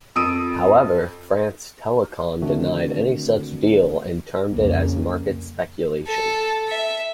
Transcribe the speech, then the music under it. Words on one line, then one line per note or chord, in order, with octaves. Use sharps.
However, France Telecom denied any such deal and termed it as market speculation.
F2 D#6 E6 D7 D#7
D3 D#3 A3 C4 D4 F#4
C2 F2 C#3 A#3
A4
E5